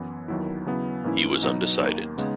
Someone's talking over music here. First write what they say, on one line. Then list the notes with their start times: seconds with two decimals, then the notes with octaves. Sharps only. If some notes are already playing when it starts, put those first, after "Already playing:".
He was undecided.
Already playing: F#2 E3 B3 E4
0.28 D#2 D#3 F#3 B3 E4
0.66 C#3 F#3 B3 E4
1.04 G#2 E3 A#3 C#4 E4
1.43 B2 F#3 B3 D#4
1.80 D#2 D#3 A#3
2.18 C#3 G#3 B3 D#4